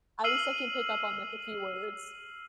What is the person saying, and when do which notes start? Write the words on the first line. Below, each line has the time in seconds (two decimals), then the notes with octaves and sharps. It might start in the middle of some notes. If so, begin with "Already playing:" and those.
at least I can pick up on like a few words
0.24 E6 F6 C7 D#7 F#7